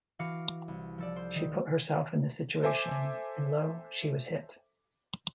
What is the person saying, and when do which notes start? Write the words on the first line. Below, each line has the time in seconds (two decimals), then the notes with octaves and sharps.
She put herself in this situation - and lo, she was hit.
0.19 E3 F#4 F5 D6 C#7
0.68 C2
0.98 F3 A4 D5
1.16 C5
1.35 D#3
2.63 A4 C5 E5 G#5 D6